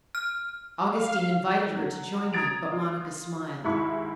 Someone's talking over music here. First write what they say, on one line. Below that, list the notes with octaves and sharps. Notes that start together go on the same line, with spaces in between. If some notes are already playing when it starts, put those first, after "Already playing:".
Augustine invited her to join them, but Monica smiled.
F6
F5
F#3
A#5 D#6 G#6 A6 D7 F7
F4
D#2 G#2 E4 B5 C#6